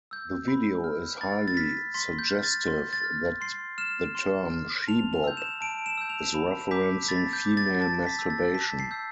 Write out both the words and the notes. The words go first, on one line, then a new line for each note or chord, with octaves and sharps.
The video is highly suggestive that the term "She Bop" is referencing female masturbation.
E6 G6
B5
F6
B5 A6
A6
F6 B6
C6 B6
G6
F6
A6
C6
A6
F6
C6 C7
F6 E7
C6
F6
A5 F7
F7
E6 G6
E7
A5 D7
E7
E6 G6
F7
B5
D6 G6 B6
B6
B5 A6
G6
D6 G6
A6
A5 A6
B6
E6 G6
A6
A5 B6
C7
E6 G6